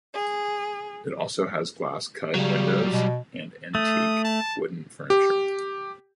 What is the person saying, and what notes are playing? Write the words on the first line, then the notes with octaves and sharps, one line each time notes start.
It also has glass cut windows and antique wooden furniture.
G#4
C#3 F#3 G3
B2
A3 D#6
A5
G4